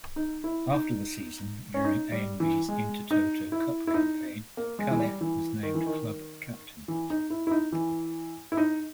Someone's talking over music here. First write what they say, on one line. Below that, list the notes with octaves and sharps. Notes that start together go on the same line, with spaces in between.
After the season, during AaB's Intertoto Cup campaign, Califf was named club captain.
D#4
E4
D#4
C#4
D#4
G3
E3
G#3
D#4
E4
E4
D#4
A#3
G#3
E3
G3
E3
D#3
E3
D#3
E3
D#4
E4
E4
D#4
E3
E4
D#4